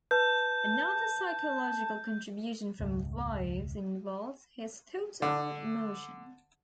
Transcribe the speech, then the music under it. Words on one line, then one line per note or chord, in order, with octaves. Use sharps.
Another psychological contribution from Vives involves his thoughts on emotion.
B4 A5 G6
E1 C#2 G#2
D3